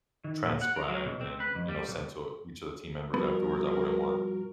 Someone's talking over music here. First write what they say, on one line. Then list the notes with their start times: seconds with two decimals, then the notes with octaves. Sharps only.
transcribed and, you know, sent to each of the team members afterwards. I wouldn't want,
0.24 D#3
0.45 A#2
0.62 F#5
0.76 A#4
0.89 F#3
1.05 B2
1.21 C4
1.40 B4
1.55 F2
1.68 G3
1.87 B1
3.14 G2 B2 F3 B3 F#4 A#4